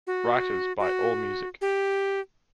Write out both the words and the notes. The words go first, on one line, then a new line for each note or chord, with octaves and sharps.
Writers by Allmusic.
F#4
F#4
G4